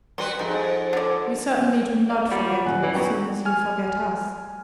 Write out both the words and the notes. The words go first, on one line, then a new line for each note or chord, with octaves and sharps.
We certainly do not forget you as soon as you forget us.
G3 F#4 B4 C6
F2 G#2 D#4
D3 D5
D5
G3 F4 C#5 F#5
D#1 G#5 F#6
E3 G3 B4 D5
F#2 B3 D#4 G5
G#5 F6